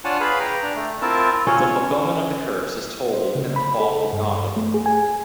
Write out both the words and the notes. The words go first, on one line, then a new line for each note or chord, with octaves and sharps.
The fulfilment of the curse is told in the "Fall of Gondolin".
D4 F4 C#5 F#5 G#5 A5
G#4 B4 F5 B5
G5 A#5
D4
A3
C4 E4 F4 A#4 A5
C#4 F4 C#5
C5
C#3
B5
A4
G2
A3
G#4
G#5